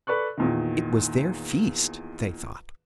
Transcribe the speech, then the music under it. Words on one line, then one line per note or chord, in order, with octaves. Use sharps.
It was their feast, they thought.
A4 B4 D5 C#6 F#6
E2 A#2 D#3